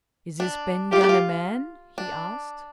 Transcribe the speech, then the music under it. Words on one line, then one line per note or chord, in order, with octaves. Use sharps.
"Is this Ben Gunn a man?" he asked.
D4
F4 G4
D4
F4
D4